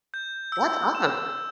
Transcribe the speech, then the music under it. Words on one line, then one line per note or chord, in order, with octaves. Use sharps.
That's awesome.
G6
E6
E7